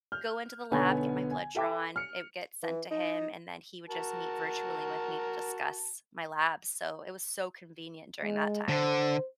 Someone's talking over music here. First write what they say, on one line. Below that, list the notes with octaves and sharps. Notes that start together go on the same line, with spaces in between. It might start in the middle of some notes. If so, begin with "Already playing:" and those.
go into the lab, get my blood drawn, it would get sent to him, and then he would just meet virtually with me to discuss my labs, so it was so convenient during that time.
F6 G6
B1 D3 B3 C#5 G#5
G#5
E4 A4 E5 G5 B5 D6
F6 C#7
E3
D#4
F#4 A#4 A5
G#3
D3 C5